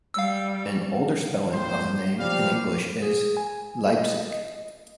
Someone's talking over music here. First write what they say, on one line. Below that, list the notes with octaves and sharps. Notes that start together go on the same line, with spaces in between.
An older spelling of the name in English is Leipsic.
G3 F5 E6
A#1 F2 C5
F3 G3 G4 D5 F5
G#4
G#5
D#5